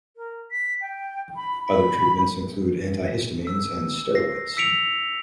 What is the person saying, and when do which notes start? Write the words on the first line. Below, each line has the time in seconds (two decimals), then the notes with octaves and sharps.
Other treatments include antihistamines and steroids.
0.17 A#4
0.51 B6
0.82 G5
1.36 B5
1.65 B5
3.47 E6
4.15 A#6 C7
4.57 E6 B6 C#7 D7 F7